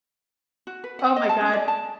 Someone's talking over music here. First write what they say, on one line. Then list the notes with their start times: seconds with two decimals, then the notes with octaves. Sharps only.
Oh my god.
0.67 F#4
0.84 B4
0.99 F#5
1.16 D#5
1.29 A5
1.41 C#4
1.53 D5
1.68 A5